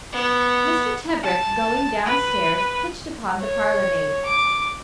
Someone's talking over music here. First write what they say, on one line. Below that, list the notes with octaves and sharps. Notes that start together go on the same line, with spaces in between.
Mr. Tebrick going downstairs pitched upon the parlour-maid.
B3
A5
B4
C#5
D6